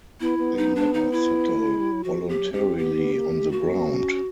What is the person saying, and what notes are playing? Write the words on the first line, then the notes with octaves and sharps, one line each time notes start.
They never settle voluntarily on the ground.
B3 E4
B3
D#4
D4
D#4
E4
A3
G#3
G3
F#3
F3 F#4
F3
G4
F#3
C#4 G4
C4
B3 G4
B3
A#3
A3
A#3 F#4
C#4